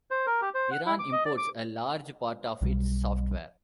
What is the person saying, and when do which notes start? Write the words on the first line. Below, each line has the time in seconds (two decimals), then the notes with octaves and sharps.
Iran imports a large part of its software.
0.11 C5
0.27 A#4
0.42 G4
0.54 C5
0.71 F#5
0.86 E4
0.99 D6
1.12 D#5
1.25 D5
1.38 D6
2.61 B1 B2 G3